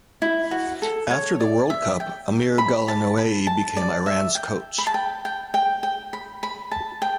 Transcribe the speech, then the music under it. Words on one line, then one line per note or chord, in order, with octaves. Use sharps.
After the World Cup, Amir Ghalenoei became Iran's coach.
E4
F#4
A4
C#5
D5
E5
G5
B5
A5
B5
A5
D5
E5
G5
B5
A5
G5
G5
G5
G5
B5
B5
A5
G5